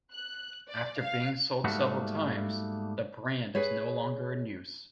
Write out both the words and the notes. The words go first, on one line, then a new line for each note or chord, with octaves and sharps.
After being sold several times, the brand is no longer in use.
F#6
D5
F5
G#2 G3 A3 A#3 F#4
G#4 B4 C#5